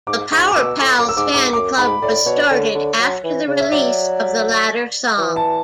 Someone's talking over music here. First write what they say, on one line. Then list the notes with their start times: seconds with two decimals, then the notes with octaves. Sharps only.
The "Power Pals" fan club was started after the release of the latter song.
0.07 G#2 D6
0.32 G#2 C#6
0.51 D6
0.56 B2 E6
0.80 A2 D6
0.98 F#2 D6
1.09 E6
1.16 G#2 D6
1.34 G#2 D6
1.53 F#2 D6
1.77 G#2 B5
2.02 A2 D5
2.26 B2 C#5
2.50 D3
2.75 D3
2.99 F#3
3.24 E3
3.48 C#3
3.60 E5
3.72 F#3 D5
5.18 E3
5.36 A5